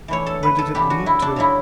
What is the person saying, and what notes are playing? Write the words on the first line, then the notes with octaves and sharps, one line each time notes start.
Where did it lead to?
E3 A3 D4 C#5
A4
B4
A4
C#3 E3 B3 D4 G4
F#4
E4
D4
C#3 F#3 C#4 E4